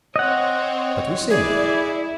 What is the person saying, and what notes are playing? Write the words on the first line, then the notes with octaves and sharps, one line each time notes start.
But we sing.
C4 C#5 D#5 F#5
E4 G#4 D5